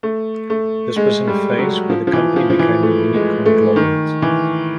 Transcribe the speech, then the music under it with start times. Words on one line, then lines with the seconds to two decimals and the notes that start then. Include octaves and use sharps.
This was in a phase where the company became a mini-conglomerate.
0.03 A3
0.50 A3
0.96 G#3
1.27 G3
1.58 F#3
1.90 F3
2.07 F3
2.13 E3
2.36 F3
2.50 F3
2.59 E3
2.83 A3
3.14 G#3
3.46 A3
3.76 D#3
4.22 E3